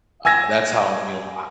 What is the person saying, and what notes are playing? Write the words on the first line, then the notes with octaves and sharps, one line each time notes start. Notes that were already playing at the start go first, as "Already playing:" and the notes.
uh, that's how, you know, I
G#5 E6 G#6 A#6